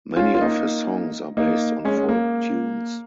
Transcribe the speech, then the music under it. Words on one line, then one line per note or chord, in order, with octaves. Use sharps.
Many of his songs are based on folk tunes.
C#4 F4
F4
A#3 D#4
A#3 D#4
G#3 C#4
G#3
A#3